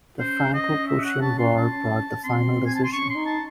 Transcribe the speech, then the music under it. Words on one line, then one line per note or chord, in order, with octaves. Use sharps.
The Franco-Prussian War brought the final decision.
C#4 C5
D#5
E5
F#5
A5
C6
A5
C4 C6
G#5
A5
C6
C#4 C#6
D#4 C6
A5